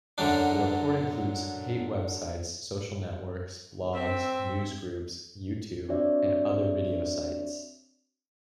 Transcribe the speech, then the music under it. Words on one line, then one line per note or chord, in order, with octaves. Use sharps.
The report includes hate websites, social networks, blogs, newsgroups, YouTube and other video sites.
F#2 D3 F#3 D4
C4 E5
C4 D4 F#4 C#5 D5 E5